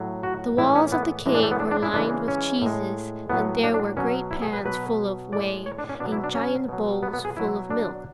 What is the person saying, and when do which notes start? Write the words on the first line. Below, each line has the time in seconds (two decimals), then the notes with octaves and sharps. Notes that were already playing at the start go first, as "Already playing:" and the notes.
The walls of the cave were lined with cheeses, and there were great pans full of whey, and giant bowls full of milk.
Already playing: A2 F#3
0.23 F#4
0.57 A2 E3 G#3 E4
0.75 C#4
0.92 B3
1.26 A2 E3 G#3
1.35 D4
1.43 A3
1.51 B3
1.60 D4
1.71 D4
1.83 E4
1.93 C#3 E3 G#3 D4
2.28 C#4
2.62 A2 G#3
3.30 A2 F#3 B3
3.64 D4
3.74 D4
3.97 B2 F#3 C#4
4.31 E4
4.42 G#4
4.53 B4
4.65 B2 F#3 B4
5.32 A2 G#3 D5
5.66 C#5
5.79 D4
5.89 C#4
6.00 B2 F#3 D4
6.12 E4
6.24 D4
6.35 C#4
6.68 B2 F#3
7.03 B3
7.14 B3
7.25 G#4
7.36 B2 F#3 E4
7.70 D4